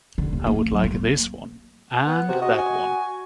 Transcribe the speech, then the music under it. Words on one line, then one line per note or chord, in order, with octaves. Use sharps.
I would like this one and that one.
D3
D#2
A#3
F#3
A#3
B3
C3 F#4
F#4 D#5
G#5